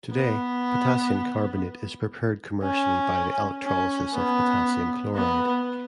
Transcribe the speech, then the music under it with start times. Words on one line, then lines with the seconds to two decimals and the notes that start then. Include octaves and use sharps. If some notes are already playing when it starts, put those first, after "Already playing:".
Today, potassium carbonate is prepared commercially by the electrolysis of potassium chloride.
0.13 B3
2.64 C#4
3.64 C#4
4.14 B3
5.15 B3